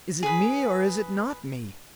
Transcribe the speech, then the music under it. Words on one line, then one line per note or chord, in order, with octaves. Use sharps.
'Is it me, or is it not me?
G#4 B4